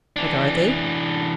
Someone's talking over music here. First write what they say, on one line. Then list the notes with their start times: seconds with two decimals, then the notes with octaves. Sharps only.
What are they?
0.16 E3 D4